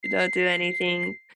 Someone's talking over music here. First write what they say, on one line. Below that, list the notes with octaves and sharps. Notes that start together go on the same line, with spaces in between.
don't do anything."
C7